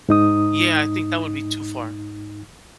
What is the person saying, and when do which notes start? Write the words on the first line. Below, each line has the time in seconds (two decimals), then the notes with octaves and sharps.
Yeah, I think that would be too far.
0.09 G#2 D#4 D#6